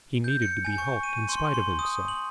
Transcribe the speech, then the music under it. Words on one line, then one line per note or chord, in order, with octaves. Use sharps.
He needed to be helped in spite of himself.
G6
C#7
G#5
C#6
D#7
C6
C6
D#6
F#7